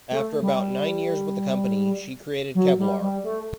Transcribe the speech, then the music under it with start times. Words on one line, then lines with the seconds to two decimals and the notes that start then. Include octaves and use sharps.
After about nine years with the company, she created Kevlar.
0.11 A3
0.41 G3
2.55 F#3
2.78 G3
3.01 G3
3.24 A3